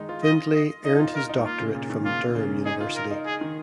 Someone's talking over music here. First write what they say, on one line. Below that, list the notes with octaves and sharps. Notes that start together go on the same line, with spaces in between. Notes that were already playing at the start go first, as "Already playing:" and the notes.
Findlay earned his doctorate from Durham University.
Already playing: D#3 G#3 D#4
F4
D#5
D#5
D#4 D#5
D#4
F4
D#4 A#4
D#4
A#3 F4
C#3
A#2
D#3
A#3 F4
C#3
D#4 G#4
F4
A#4
D#4
G#4
D#3